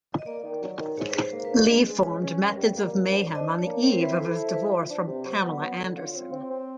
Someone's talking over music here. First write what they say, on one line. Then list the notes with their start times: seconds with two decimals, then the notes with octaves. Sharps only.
Lee formed Methods of Mayhem on the eve of his divorce from Pamela Anderson.
0.19 D#5
0.26 A#3 D5
0.44 D#3
0.62 F#3
0.80 D#3
0.97 G#2 C#5
1.11 G#2 B4
1.21 C5
1.33 A#3
1.45 B4
1.51 D4
1.68 G#3 B4
1.87 G#3
2.04 C#4
2.22 C#4
2.40 F#2
2.58 G3
2.76 A#3
2.93 F#2
3.11 D4 C5
3.29 D4
3.35 D#5
3.47 D4
3.59 C#5
3.65 A#3
3.82 C4 C#5
3.92 C5
4.00 E4 B4
4.11 C5
4.19 A4
4.36 E4
4.54 F3 B4
4.72 F3
4.90 D4
5.07 C3
5.25 F#3
5.44 B3
5.61 F#3
5.78 D3
5.97 F4 C#5
6.15 C4
6.33 C4
6.51 C4